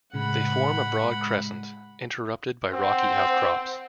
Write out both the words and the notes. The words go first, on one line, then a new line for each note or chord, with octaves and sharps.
They form a broad crescent, interrupted by rocky outcrops.
A2 C#3 G#3 F#5 B5
C4 C5 F#5